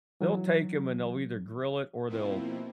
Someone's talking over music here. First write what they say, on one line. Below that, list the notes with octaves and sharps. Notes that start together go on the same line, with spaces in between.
they'll take 'em and they'll either grill it or they'll
E3 F#3
B2 F3 A#3 C4 E4